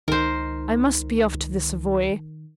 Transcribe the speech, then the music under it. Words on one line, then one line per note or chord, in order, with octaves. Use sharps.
"I must be off to the Savoy."
C#2 D#3 A#4 C5